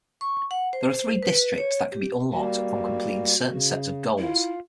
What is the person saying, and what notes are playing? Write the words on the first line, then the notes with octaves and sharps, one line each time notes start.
There are three districts that can be unlocked upon completing certain sets of goals.
C#6
F#5
C5
B4
C#5
G4
G3 A#3 F#4
C#3
E4 F4